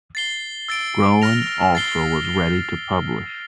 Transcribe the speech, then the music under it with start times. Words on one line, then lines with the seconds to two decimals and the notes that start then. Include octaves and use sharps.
Groen also was ready to publish.
0.15 A6 C7 G7
0.68 E6 A6 D7
1.22 F6 A#6 F7
1.75 A6 C7 G7